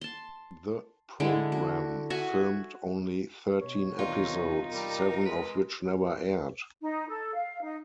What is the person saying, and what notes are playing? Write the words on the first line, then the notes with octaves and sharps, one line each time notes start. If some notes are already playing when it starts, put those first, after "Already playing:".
The program filmed only thirteen episodes, seven of which never aired.
A5 C6
D3 G#3 E4
F#4
F#4 E5 G#5 C#6
B2 C#5
E2 C3 D#3 D#4 F4
G3 A#4
G#3 B4
D#4
A4
F5
D#4